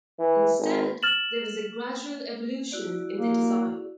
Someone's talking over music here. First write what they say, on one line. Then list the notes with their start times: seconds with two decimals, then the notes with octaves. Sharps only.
Instead, there was a gradual evolution in the design.
0.19 E3
0.59 G#1
1.03 F6 A6 E7 F#7
2.72 E4 F#4 D5
3.17 A#3